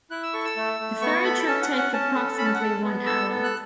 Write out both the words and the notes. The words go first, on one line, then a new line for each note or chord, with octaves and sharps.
The ferry trip takes approximately one hour.
E4 F#6
E6
A4 C#6
E6
A3
A3
B3 C#6
A4 B5
C#4 A5
F#5
C#4
F#5
C#4 A5
A4
C#4 B5
A5
F#5
A4 A5
B3
A4 E6
B3
F#6